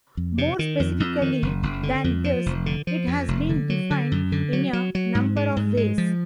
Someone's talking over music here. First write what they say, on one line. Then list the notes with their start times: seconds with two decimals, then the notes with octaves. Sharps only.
More specifically than this, it has been defined in a number of ways.
0.17 F2
0.38 C3
0.59 D#3
0.80 F2
1.00 F2
1.22 D#3
1.42 F#1
1.63 F#1
1.83 D3
2.04 F2
2.24 F3
2.46 F1
2.66 D3
2.87 F3
3.07 F2
3.28 F1
3.49 D3
3.70 F#3
3.91 D3
4.12 F#2
4.32 D3
4.53 F#3
4.73 F#3
4.95 F#3
5.15 G#2
5.36 G#3
5.57 G#2
5.77 G#3
5.98 F3